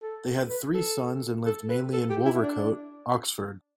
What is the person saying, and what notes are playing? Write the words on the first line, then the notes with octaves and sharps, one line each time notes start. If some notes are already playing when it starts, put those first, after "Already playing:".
They had three sons and lived mainly in Wolvercote, Oxford.
A4
B4
A4
A4
B4
A4
G4
E4
D4